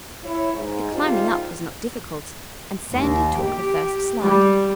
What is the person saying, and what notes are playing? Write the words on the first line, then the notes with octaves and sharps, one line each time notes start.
The climbing up was not difficult and Sandy took the first slide.
E4 C#5
G#2
G#2 C3 D#3 G3 F4
D#2
G4
G3